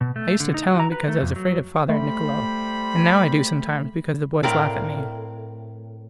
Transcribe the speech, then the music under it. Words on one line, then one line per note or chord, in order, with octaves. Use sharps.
I used to tell 'em because I was afraid of father and Nicolo, and now I do sometimes because the boys laugh at me.
B2
A3
D3
D#4
F#4
A#5
B4
A3
F2
F#3
G3 A3 C5 B5
A2 C4 A#4 D5 F5